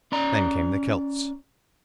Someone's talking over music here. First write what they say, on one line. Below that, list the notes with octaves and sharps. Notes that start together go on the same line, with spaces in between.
Then came the Celts.
C#4 D5 A#5